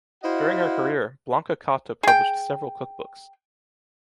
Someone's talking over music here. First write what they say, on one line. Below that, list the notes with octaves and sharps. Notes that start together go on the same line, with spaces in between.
During her career, Blanca Cotta published several cook books.
E4 F#4 C5 D#5 F5 F#5
G#4 G5